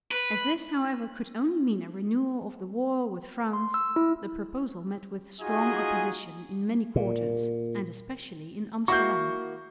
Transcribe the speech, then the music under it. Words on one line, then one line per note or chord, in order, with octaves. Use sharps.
As this, however, could only mean a renewal of the war with France, the proposal met with strong opposition in many quarters, and especially in Amsterdam.
B4
C6
E6
E4
D#4 F4 F#4 G#4 D#5 G#5
A#2
A#3 E4 F#4 C#6 G6